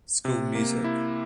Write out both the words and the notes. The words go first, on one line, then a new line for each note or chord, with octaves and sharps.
School music.
C3
A#3
E4